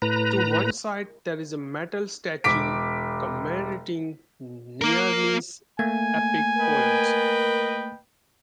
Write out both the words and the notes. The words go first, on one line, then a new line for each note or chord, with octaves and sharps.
To one side, there is a metal statue commemorating Nizami's epic poems.
A2 B4 A#5
E1 D6 B6 D7
A#3 A#4
A3 A#3 G#5 G#6
A#4 B4 D#5 G5